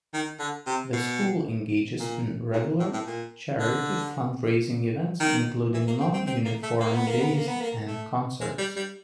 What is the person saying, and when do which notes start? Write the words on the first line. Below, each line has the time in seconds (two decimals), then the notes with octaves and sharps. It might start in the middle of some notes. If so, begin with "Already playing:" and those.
The school engages in regular charity fund-raising events, including non-uniform days and concerts.
0.13 D#3
0.39 D3
0.66 C3
0.93 B2
2.00 A#2
2.53 G#2
2.80 A2
2.93 A2
3.06 A#2
3.60 D3
5.20 D#3
5.74 E3
5.87 A#3
6.00 C4
6.14 C4
6.27 C4
6.45 A#3
6.63 A3
6.80 A#3
6.94 B3
7.07 A#3
7.20 B3
7.34 A#3
7.47 B3
7.61 A#3
7.87 A3
8.41 G#3
8.58 G3
8.76 G3